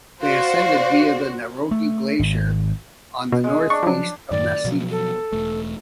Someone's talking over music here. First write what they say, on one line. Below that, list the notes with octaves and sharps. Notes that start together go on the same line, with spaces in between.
They ascended via the Niroghi glacier on the northeast of the massif.
F#4 C5 D5 F5
A3
G#1
B2
G#3
D4 C#6
F3 F#3
F#2 A2 D#3 D5
B2 F3 F#3
A4
E1 A3